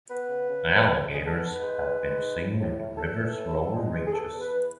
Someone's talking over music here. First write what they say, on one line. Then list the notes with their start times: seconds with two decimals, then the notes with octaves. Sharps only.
Alligators have been seen in the river's lower reaches.
0.09 B3 B4
0.28 C#3
0.48 C#3
0.67 D2
0.86 C#3
1.04 G#3
1.12 G#4
1.24 B3 A4
1.43 G#2
1.53 B4
1.62 G#3
1.82 G#2
2.00 G#3
2.20 G#2
2.39 A2
2.59 A2
2.78 A2
2.97 A2 A4
3.16 E3
3.36 A2
3.55 E2
3.75 G#3
3.93 E2
4.06 G#4
4.12 E2 A4
4.32 E2
4.41 B4
4.51 E2